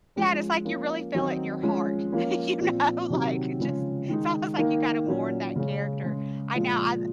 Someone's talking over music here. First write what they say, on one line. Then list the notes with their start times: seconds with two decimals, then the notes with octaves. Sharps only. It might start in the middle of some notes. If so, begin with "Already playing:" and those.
Yeah, and it's like you really feel it in your heart. You know, like, you just it's almost like you gotta mourn that character. I now, I've
0.16 F3 G#3 C#4
0.65 F3 A#3 C#4
1.14 D#3 F#3 C4 D#4
1.63 F3 G#3 C#4
2.12 F3 A#3 C#4
2.61 A#2 F3 C4
3.10 C3 D#3 F#3 C4
3.60 C#3 F3 G#3 C#4
4.09 D#3 G#3 D#4
4.58 D#3 A#3 D#4
5.06 A#2 F#3 C#4
5.56 C#3 G#3 C#4
6.04 C#3 G#3 C#4
6.54 A#2 F3 G#3